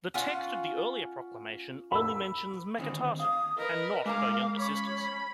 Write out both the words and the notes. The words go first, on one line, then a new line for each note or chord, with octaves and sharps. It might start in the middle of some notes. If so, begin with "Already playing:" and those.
The text of the Earlier Proclamation only mentions Meketaten and not her younger sisters.
C#4 F4 F#5
B5 E6
D2 D#3 C4
F5 D#6
A#4 B4 D#5
G#3 A#4 F5 A#5 D6
C#4 C#5 B5